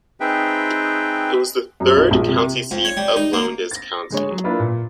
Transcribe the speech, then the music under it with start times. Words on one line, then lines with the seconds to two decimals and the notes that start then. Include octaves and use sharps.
It was the third county seat of Lowndes County.
0.20 C4 D#4 G#4 B4 E5 G5
1.80 F#2
1.97 B1
2.11 A#1
2.29 C3
2.71 F2
2.85 C#5
2.97 G3
3.16 D#4
3.33 A#3
3.71 A6 A#6
4.10 D3 G#3 C#5
4.31 F#3
4.44 A#3 B3 D4 E4 F4
4.60 A#2